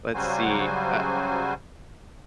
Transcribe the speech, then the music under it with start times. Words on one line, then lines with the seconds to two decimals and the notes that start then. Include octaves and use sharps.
Let's see, uh
0.14 C#3 F#3 G3 F#4 C5 G#5